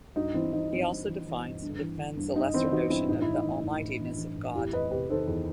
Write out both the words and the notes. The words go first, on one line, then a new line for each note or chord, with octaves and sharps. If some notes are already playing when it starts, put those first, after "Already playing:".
He also defines and defends a lesser notion of the "almightiness" of God.
G2 D#4 F#4
E3 C4 E4
E3 D#4
G2 C4
G2
E3
E3
G2
G2
E3
E3
G2
G2 D#4
E3 C4 E4
E3 D#4 F#4
G2 C4 E4
A2 D#4
E3 E4
D#4
E3 E4
A2 D#4
A2
E3
E3
A2
E2 E4 G4
E2 B4 D#5
C3 G4 B4
D#3 A4 C5
E2